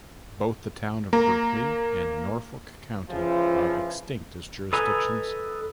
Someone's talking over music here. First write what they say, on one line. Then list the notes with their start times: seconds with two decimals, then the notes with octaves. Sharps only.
Both the Town of Berkley and Norfolk County are extinct as jurisdictions.
1.13 A#3 A#5
3.10 C#3 E3 F3
4.73 A4 B4 D#5 G#5 A#5